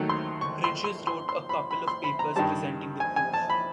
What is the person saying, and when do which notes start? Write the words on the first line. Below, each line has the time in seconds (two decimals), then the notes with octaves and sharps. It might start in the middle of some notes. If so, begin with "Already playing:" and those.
Bridges wrote a couple of papers presenting the proof.
Already playing: D#2 D#3 F#3 A3
0.09 C6
0.41 C#6
0.64 C6
0.84 C6
1.07 C6
1.29 C6
1.49 B5
1.71 B5
1.88 C6
2.04 B5
2.19 A#5
2.36 G2 D#3 G3 A5
3.00 G#5
3.16 G#5
3.34 A5
3.50 B5